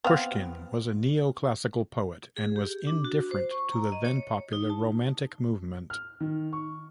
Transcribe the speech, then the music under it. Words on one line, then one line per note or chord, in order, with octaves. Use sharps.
Pushkin was a neoclassical poet and was indifferent to the then-popular romantic movement.
B3 C4 F5
G#4
G4
D4
F#4
C5
C#6
A#5
D#5
C#5
D#4
A5
F6
D#3
C#6